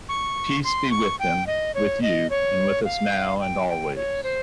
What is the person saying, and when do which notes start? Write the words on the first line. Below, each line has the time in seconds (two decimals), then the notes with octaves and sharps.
Peace be with them, with you, and with us now and always.
0.09 C#6
0.64 C6
0.91 C#6
1.19 G5
1.47 D#5
1.75 C#5
2.02 D#5
2.30 C#5
2.85 F5
3.40 G5
3.69 G5
3.96 C#5
4.24 C5